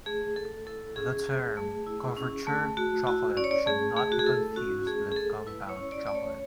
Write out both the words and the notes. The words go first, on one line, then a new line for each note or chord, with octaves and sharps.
The term "couverture chocolate" should not be confused with compound chocolate.
A3 G#4
A3 A4
E4 A4
C#4 G#4
A3
A3
E4
C#4
A3
A3 F#4
E4 F#4
C#4 D5
C#5
D5
A3 G#4
A3 G#4
F#4
G#4
E4 A4
C#4 F#4
A3 G#4
G#4
A3 A4
E4 B4
C#5
C#4
D5
A3 D5
C#5